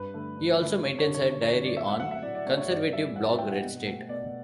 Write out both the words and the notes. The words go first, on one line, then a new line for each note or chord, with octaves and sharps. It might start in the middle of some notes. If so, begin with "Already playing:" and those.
He also maintains a diary on the conservative blog RedState.
Already playing: G2 B4
D3 A3
G2
D3 A3
F#2 C#5
C#5
D3 G3
C#5
F#2 C#5
C#5
D3 G3 C#5
D5
A2 E5
F#5
F#3 A3 F#5
E5
A2 D5
D5
F#3 A3 C#5
C#5
G2 D5
E3 G3 E5
G2 F#5
E3 G3 G5
F#5
B2
A3
B2 D5